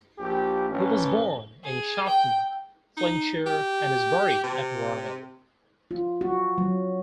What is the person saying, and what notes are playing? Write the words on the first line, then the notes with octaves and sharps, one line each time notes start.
He was born in Shotton, Flintshire and is buried at Rhyl.
A#1 G4
A1 C#4
G#4
G5
D#4
G4
C3
F4
F#4
F#3